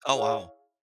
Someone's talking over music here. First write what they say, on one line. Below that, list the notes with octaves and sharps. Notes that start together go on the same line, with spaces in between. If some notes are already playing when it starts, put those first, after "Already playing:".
Oh, wow.
E4 G#4 C#5 F5